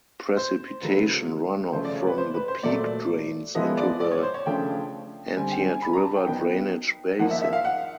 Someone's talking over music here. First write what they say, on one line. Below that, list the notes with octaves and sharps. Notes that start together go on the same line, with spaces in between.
Precipitation runoff from the peak drains into the Entiat River drainage basin.
C5
C#3 F#3 A3 B4
C#3 F3 A3 C5
D5
C#5
B4
C5
B4
C5
A#2 F#3 A3 D5
F3 G#3 B3 E4 D#5
D5
D5
C#5
C5
C#5
C#3 F3 A3 D4 G5
D3 G3 C4 G#5
G5
G#5
B5
A#5
A5
G5
F#3 B3 D#4 G5
F3 A#3 D#4 F#5
E5
E5
F5
F#5